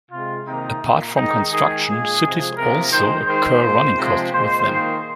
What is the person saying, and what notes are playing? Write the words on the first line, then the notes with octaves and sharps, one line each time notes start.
Apart from construction, cities also occur running costs with them.
C3 G#3 F4
C3 D#3 A#3 D#4
A#2 A#3
D#3 G#3 D#4
D#3 G#3 G#4
A#2 G#3 G#4
C3 F3 G#3
C3 F3 A#3 A#4
D#3 G#3 C5
D#3 G#3 C5
A#2 G#3
C3 F3 G#3
A#2 G#3 C5
D#3 A#3